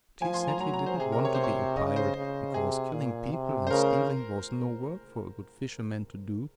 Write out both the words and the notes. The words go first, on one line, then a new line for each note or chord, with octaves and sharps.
But he said he didn't want to be a pirate, because killing people and stealing was no work for a good fisherman to do.
F3 G#5
C6
A#5
F#3 A#5
A#5
C5
C3 G#4
A#4
C#5
C5
C#5
C#3 D#5
C5
C#3
C3 G#4
A#2
C3
C5
C#3 A#4